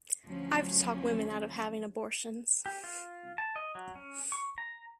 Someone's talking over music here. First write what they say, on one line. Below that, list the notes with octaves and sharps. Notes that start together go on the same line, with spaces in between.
I've talked women out of having abortions.
D2 F3 F#3 C#4
G4
F4
A5
D#5
F#3
C#4
C#6
A#5